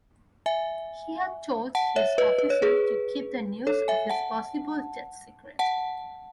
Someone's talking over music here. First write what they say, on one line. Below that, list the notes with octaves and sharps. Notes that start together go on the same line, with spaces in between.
He had told his officers to keep the news of his possible death secret.
E5 G#5
F#5 A5
C#5 E5
B4 D#5
B4
C#5
G#4 B4
A4 C#5
E5 G#5
F#5 A5
F#5 A5